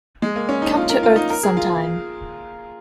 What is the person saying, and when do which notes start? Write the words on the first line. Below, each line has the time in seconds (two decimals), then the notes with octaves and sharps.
Come to Earth sometime.
0.22 G#3
0.36 A#3
0.49 C#4
0.62 D#4
0.76 F4
0.90 A#4
1.03 F4
1.16 D#4
1.30 A#4
1.43 G#4
1.57 F4